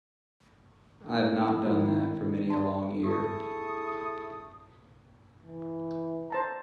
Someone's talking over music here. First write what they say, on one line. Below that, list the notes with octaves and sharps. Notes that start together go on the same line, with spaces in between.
I have not done that for many a long year!
A#3 E4
F3 G3 A#3
D#3
A5 C6
E4 G#4 A4 A5 C#6 D#6
E3
C5 A5 A#5